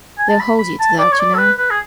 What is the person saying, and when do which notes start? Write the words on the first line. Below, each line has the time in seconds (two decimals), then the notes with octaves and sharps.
They'll hold you to that, you know.
0.18 G#5
0.29 A5
0.40 B5
0.58 B5
0.79 A5
0.99 D5
1.12 C#5
1.19 D5
1.34 A4
1.38 B4
1.58 B4
1.70 G#4